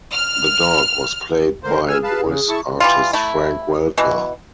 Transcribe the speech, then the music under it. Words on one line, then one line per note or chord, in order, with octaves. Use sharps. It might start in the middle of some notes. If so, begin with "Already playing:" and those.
The dog was played by voice artist Frank Welker.
F6
D3 A#3 C5
G#4 G#5 E6 F6
B4 F5 A5
C#3
E4 A5 C#6
E3 G3 F4
A3 E4
B2 E3